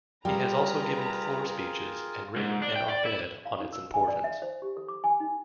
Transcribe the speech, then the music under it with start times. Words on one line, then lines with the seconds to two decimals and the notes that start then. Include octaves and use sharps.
He has also given floor speeches and written an op-ed on its importance.
0.25 G3 F4 G#4 A#4 B4 G5 A#5
2.36 G#2
2.62 D4
2.76 G5
2.88 D5
3.05 E4
3.45 F5
3.60 D#4
3.73 E6
3.94 G#5
4.08 D5
4.24 E5
4.42 C5
4.62 G4
4.77 A4
4.88 D6
5.04 G#5
5.20 D#4